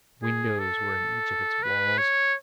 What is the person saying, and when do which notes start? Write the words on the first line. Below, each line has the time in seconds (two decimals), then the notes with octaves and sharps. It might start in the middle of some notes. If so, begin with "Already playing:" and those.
Windows were in each of its walls.
0.23 G#4
0.59 A4
1.63 B4
1.98 C#5